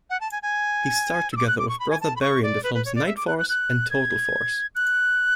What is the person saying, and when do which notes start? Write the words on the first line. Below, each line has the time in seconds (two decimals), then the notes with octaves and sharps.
He starred together with brother Barry in the films "Nightforce" and "Total Force".
0.10 F#5
0.21 A5
0.32 G#5
0.42 G#5
1.33 E6
1.37 D6
1.47 F#6
1.59 D6
1.69 C#6
1.80 B5
1.90 G#5
2.01 A5
2.16 B5
2.21 C#6
2.43 D5
2.63 B4
2.74 B4
2.85 C#5
2.95 D5
3.06 E5
3.16 D6
3.27 F#6
3.38 F#6
3.49 F#6
3.90 G#6
4.75 F#6